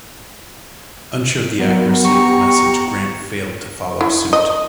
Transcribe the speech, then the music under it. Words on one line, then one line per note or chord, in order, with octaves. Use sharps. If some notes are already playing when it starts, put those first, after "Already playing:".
Unsure of the accuracy of the message, Grant failed to follow suit.
F#3 B3 A#4
G4 A#5 C#6
E4
D#5